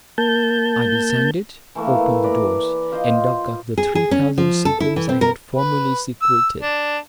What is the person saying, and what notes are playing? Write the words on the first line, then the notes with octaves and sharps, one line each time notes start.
I descended, opened the doors, and dug up the three thousand sequins I had formerly secreted.
A#3 A5 G6
E3 A3 A#3
B4 D5 A#5
F4 C5 D#5
G#4
G#4
C#4
F3
A4
E4
E3
C4
A#4
B4
E6
D4